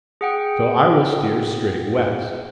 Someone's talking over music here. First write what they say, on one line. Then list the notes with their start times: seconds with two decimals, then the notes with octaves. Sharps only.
So I will steer straight west.
0.21 G#4 F#5 G5